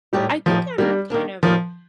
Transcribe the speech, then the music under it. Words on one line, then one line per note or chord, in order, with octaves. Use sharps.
I think I'm, kind of,
A2 G3 A3 D#4 G4
A2 F3 A3 D#4 G4
D#3 G3 A#3 D4
D#3 A#3 D4
A2 F3 G3 A#3 D#4